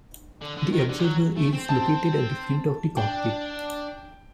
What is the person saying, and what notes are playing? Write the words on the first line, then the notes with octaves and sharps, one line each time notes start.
The observer is located at the front of the cockpit.
D3
D3
D#3
D3
G3
F#3
A3
C4
A5
D4 G5